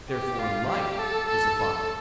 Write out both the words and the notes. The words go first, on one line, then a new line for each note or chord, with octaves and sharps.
Therefore light is a body.
G4
F4
G4
A4
A4
A4